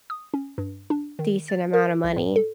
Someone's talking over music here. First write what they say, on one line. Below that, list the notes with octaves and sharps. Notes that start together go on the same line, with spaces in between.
decent amount of money
D#6
C#4
G2
D4
D#3
A6
A#4
C2
A2
A4